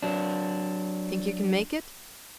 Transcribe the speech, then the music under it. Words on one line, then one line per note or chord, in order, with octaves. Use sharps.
"Think you can make it?"
F#3 D4